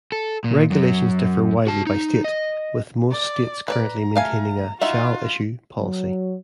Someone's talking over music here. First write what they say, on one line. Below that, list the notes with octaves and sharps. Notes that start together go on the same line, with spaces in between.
Regulations differ widely by state, with most states currently maintaining a "Shall-Issue" policy.
A4
A#2
F#2 F#3
F#4 A5
D#4
D#5
D5
B4 C#5 D5 A#5
A3 F5 G#5
D#4 F4 F#4 E5
F#3